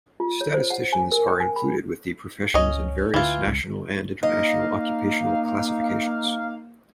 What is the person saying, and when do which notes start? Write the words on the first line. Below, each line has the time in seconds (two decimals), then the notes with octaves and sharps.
Statisticians are included with the professions in various national and international occupational classifications.
0.20 F4
0.41 C#5
0.54 C5
0.70 F#5
0.93 G#5
1.12 A#4
1.28 G5
1.40 G#5
1.56 B5
2.54 C#2 C#4 D#5
3.14 D2 E3 F4
3.47 C#2
4.23 A#3 D#4 D#5 F5